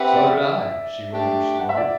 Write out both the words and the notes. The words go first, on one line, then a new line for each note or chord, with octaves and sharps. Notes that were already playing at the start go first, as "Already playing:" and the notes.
"So did I!" She rather snorted.
Already playing: C4 G4 B4 E5 F#5
D5
A3 D4 G4
F#5
E5
D5